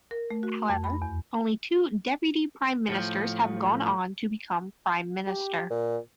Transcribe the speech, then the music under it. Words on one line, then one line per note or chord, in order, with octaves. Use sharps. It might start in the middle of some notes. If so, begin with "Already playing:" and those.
However, only two Deputy Prime Ministers have gone on to become Prime Minister.
A#4
A3
F#4
F2
B5
E2
A2 F3
G4
A#2